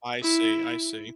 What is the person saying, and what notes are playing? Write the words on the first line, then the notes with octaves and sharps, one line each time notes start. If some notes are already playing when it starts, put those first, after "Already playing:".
I see I see.
E4